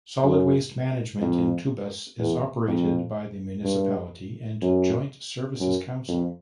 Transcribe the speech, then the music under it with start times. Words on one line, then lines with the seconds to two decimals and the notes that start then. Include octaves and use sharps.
Solid waste management in Tubas is operated by the municipality and Joint Services Council.
0.23 F#2
1.21 F2
2.19 E2
2.68 F2
3.64 G2
4.62 F#2
5.60 F#2
6.08 F2